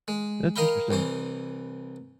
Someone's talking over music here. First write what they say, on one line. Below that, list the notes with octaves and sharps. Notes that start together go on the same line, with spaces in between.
That's interesting.
G#3
A#4 D#5 F5 G5 B5
C2 E3 C5